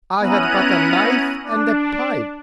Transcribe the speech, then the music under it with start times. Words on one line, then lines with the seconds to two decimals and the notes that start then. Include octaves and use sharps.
I had but a knife and a pipe.
0.20 B3 C#4 E4 A#5 F#6 D#7
1.44 D4